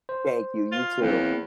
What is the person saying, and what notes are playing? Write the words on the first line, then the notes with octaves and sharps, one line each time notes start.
Thank you, you too.
C5
F4
E2 E3 A#3 C4